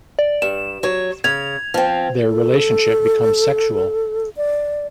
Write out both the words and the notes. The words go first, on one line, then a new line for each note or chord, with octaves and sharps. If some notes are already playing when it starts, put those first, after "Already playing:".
Their relationship becomes sexual.
D5
G2 E7
F#3 C#5
C#3 G#6 F7
F3 C4
A4
D5